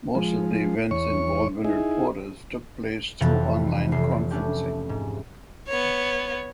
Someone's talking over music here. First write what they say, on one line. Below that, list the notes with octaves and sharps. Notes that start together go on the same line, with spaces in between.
Most of the events involving reporters took place through online conferencing.
F3 G#3
E2 C#5 C#6
D#4 E4 G#4
F1 F2 C3 E3 F#4 A6
F1 C7
A3 C#4 D4 G4
G#2
B3 C#5